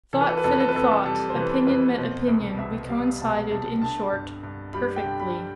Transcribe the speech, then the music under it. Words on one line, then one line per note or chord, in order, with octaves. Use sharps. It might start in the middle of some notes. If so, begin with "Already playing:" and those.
Thought fitted thought; opinion met opinion: we coincided, in short, perfectly.
E3 A4
B4
A4
B4
F2 A4
B4
A4
B4
F2 A4
B4
A4
G3 A4
C5
E3 B4
F2 B4
B2 C5
C2
C2 E5
G3 F5
B2 A5
C2 A5
D3 A5
G2
G2
G3 B5
G5
D3
B5